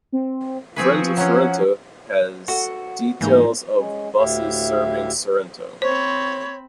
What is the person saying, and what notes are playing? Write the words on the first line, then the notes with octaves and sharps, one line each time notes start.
Friends of Sorrento has details of buses serving Sorrento.
C4
F3 C4 G#4 B4 C#6
F#3 C#4 C#5 F#5
F#4 A4 F#5
G#2 C#3 E3 A#3 D#4
G#3 C#4
D2 A2 E4 G4 E5 F5
C4 C5 C#5 B5